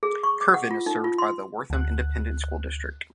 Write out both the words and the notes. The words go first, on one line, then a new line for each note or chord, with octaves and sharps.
Kirvin is served by the Wortham Independent School District.
G#4
C#6
D6
F#5
F4
D#4
F4
C6
D2 F#6